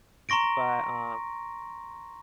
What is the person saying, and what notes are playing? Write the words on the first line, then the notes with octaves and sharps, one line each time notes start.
But, um
A#5 C6 C#6 A#6 D7